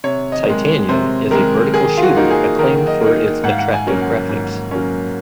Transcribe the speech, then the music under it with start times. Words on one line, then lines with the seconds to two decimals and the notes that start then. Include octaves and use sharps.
"Titanion" is a vertical shooter acclaimed for its attractive graphics.
0.04 C3 C#5
0.32 D#5
0.47 D#3 G#3
0.89 C3 C5
1.31 D#3 G#3 A#4
1.74 D#3 G#4
1.97 F4
2.02 F#4
2.17 A#3 D#4
2.30 G#4
2.59 D#3 A#4
2.88 D#5
3.01 A#3 D#4
3.44 G#2 F#5
3.51 F5
3.58 F#5
3.72 G#5
3.87 F#3 A#3 C#4
4.01 F#5
4.29 G#2
4.71 F#3 A#3 C#4